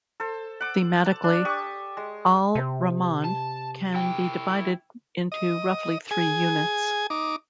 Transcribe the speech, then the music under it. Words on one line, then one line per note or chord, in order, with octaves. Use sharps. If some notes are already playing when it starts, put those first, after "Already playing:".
Thematically, Al-Rahman can be divided into roughly three units.
A4 C5
F#5 D6
A5
D4
G4 C#6 D#6
G#3
C3
A5
E4 G5
D#5
G#4 G#5
D#4 D6